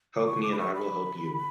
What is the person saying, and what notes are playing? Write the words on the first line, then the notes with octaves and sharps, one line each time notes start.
Help me and I will help you.
D6
C#6
D6
B5
C#6
B5